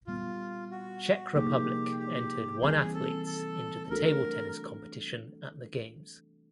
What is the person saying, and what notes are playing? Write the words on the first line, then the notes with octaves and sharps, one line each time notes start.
Czech Republic entered one athletes into the table tennis competition at the games.
A#2 G3 B3 F4
F#4
C3 F3 A#3 D#4 G4 G#4
G4
E3 G3 C4 G#4
A4
A4
A3 D4 F#4 A4 A#4